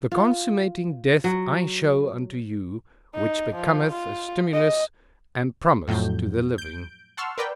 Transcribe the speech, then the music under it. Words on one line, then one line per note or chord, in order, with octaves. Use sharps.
The consummating death I show unto you, which becometh a stimulus and promise to the living.
F4
F#3
D#4
F3
F4
D#5
F2 A2 F#3 G6
G6 D7
F#5 A5 C6 C#6 E6 F6
A#4 B4 D5 G5